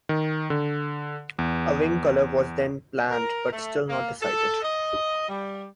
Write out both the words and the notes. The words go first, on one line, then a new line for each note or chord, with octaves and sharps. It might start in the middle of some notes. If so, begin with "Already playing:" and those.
A wing colour was then planned but still not decided.
D#3
D3
E2
A#4
A3
A#3
A4
D#5
G3